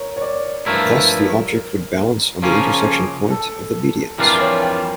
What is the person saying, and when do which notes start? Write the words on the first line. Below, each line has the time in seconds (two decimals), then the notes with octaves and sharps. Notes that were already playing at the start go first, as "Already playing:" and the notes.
Thus the object would balance on the intersection point of the medians.
Already playing: A#4 C#5
0.16 C#5
0.22 D5
0.66 G2 F3 A3 E4 A#4
2.43 C#3 F3 A#3 C#4
3.30 A4
4.18 F2 E3 G3 D4 F4 A#4
4.36 A#4
4.41 C#5
4.63 G5